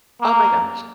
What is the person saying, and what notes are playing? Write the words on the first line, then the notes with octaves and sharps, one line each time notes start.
Oh my gosh.
A#3